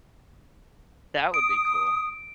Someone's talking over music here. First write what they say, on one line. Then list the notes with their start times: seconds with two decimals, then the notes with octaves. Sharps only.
That would be cool.
1.34 D#6 D7